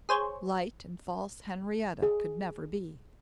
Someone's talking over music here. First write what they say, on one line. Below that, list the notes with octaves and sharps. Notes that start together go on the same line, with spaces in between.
Light and false Henrietta could never be.
G#4 C5 C#5
G#4